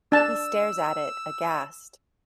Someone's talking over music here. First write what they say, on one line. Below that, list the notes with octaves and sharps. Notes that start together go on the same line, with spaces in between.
He stares at it, aghast.
D4 A5 E6